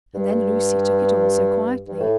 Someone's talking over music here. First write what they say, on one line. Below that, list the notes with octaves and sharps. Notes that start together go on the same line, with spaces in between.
And then Lucy took it all so quietly.
G2
G2
A2